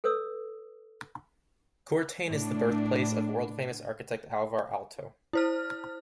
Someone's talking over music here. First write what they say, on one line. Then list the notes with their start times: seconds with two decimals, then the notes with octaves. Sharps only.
Kuortane is the birthplace of world-famous architect Alvar Aalto.
0.04 A4 B4 C#5 D#6 E6
2.26 A2 D4
5.33 E4 C5 F6